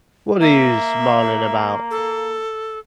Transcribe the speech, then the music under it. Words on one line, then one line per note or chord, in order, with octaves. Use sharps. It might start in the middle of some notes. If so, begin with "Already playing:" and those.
What are you smiling about?
A#3 E5
A4